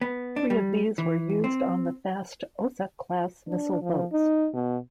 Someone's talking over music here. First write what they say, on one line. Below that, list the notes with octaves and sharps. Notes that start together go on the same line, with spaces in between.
Three of these were used on the fast Osa class missile boats.
B3
D4
G3
E3
C4
D4
F3
D#4
B2